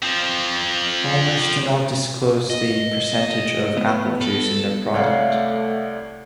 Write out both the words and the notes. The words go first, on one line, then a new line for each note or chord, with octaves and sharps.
Bulmers do not disclose the percentage of apple juice in their product.
F3 C4
D#5
B3
A4
C2 A3 C#5 D5 F5 F#5